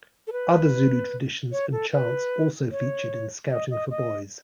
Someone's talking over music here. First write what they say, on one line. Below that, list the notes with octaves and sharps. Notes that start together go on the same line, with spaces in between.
Other Zulu traditions and chants also featured in Scouting for Boys.
A4
B4
C#5
A4
B4
C#5
D#5
D#5
D#5